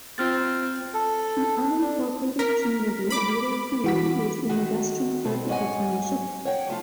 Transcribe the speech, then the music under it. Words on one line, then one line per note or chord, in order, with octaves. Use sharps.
The unincorporated community of Little Cooley is in the western part of the township.
C4 F4 F6 A6
A4
D4
A#4 B6
B5 D6
E3 F#4 B6
D3 D#3 D#4 F#4
B2 G3 C4
G#2 C#4 D#5 F#5 G#5
C#5 F#5 G5
F3 A3 F4